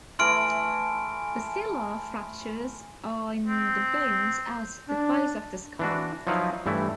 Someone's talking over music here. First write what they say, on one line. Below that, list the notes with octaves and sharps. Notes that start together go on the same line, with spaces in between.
Basilar fractures are in the bones at the base of the skull.
E3 A3 G#5 C6 F6 D7
C4
D4
E3 D4 F#4
F3 F#3 D#4 E4 B4 F5
G2 E3 A3 E4